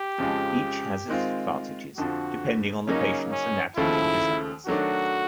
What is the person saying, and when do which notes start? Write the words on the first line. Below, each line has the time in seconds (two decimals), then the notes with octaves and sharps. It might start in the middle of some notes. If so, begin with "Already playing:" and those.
Each has its advantages depending on the patient's anatomy and desires.
Already playing: G4
0.18 F2 C#3 F3 G#3
1.08 D#3 G#3 C4 F4
1.97 F2 D3 F3 F#4
2.87 C#3 F#3 A#3 C#4 D#4
3.32 C#4
3.77 D#2 C#3 F3 A3 E4
4.67 D#3 F#3 A3 D4 F#4